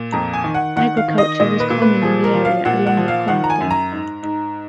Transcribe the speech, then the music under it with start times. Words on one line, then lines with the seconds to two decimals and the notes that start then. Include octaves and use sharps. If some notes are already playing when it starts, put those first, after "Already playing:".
Agriculture was common in the area along with crafting.
Already playing: A#2
0.12 F2 A#5
0.33 G#5
0.44 D#3
0.54 F#5
0.76 D#3 F#5
0.97 F5
1.08 D#3
1.18 D#5
1.40 A#2 D#5
1.60 B4
1.70 A#2
1.82 B4
2.02 F3 G#4
2.24 A#4
2.34 F3
2.45 F5
2.65 A#2 F#5
2.87 F#5
2.97 F3
3.08 F5
3.28 D#3 F#5
3.44 A#5
3.50 G#5
3.61 F#2
3.70 A#5
3.92 G#2
4.23 G#2